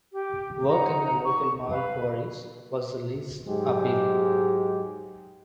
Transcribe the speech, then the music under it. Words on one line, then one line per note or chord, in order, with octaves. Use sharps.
Work in the local Marl quarries was the least appealing.
G4
D#4 F#5 A#5
C#6
B4 F5
G#2 F#3 G#3 G4